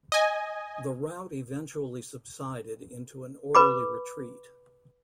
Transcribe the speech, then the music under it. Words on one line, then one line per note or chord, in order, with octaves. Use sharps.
The rout eventually subsided into an orderly retreat.
D#5 G#5
B4 B5 D6